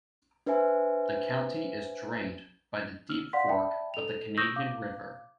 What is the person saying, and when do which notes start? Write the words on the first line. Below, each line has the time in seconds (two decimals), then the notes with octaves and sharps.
The county is drained by the Deep Fork of the Canadian River.
0.46 D4 B4 C5 E5 G#5
3.09 E6 F6
3.33 D5 F5 F#5 C6 B6
3.47 D5 E5 G5 A5 B5
3.94 A4 F7
4.37 C#6 D#6 E6 G6 A#6
4.56 F5 D6